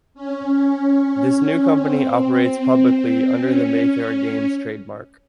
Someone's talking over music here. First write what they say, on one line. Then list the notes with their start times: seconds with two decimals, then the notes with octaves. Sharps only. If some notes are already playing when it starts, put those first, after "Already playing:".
This new company operates publicly under the Mayfair Games trademark.
0.14 C#4
1.77 C4
2.31 C4
3.40 C#4